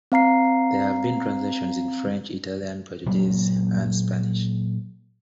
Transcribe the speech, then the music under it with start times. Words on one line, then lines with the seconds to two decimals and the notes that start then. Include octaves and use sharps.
There have been translations in French, Italian, Portuguese and Spanish.
0.12 C4 F5 A#5 C7
3.06 A#2 F#3 G#3 A#3